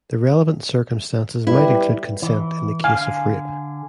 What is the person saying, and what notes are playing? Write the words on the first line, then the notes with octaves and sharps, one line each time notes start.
The relevant circumstances might include consent in the case of rape.
G3 E4 B4
E3
D3 F5 G#5